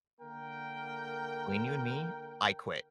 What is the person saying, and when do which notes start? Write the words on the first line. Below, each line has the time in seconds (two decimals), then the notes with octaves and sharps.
between you and me, I quit.
0.21 D3 A#3 A#4 G5